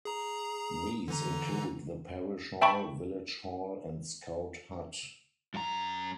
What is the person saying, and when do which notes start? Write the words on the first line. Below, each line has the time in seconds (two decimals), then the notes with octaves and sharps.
These include the parish hall, village hall and scout hut.
0.05 G#4 A#5
1.08 D3 E3 A#5
2.61 E5 G5 A5 B5 C#6
5.54 F#2 A#5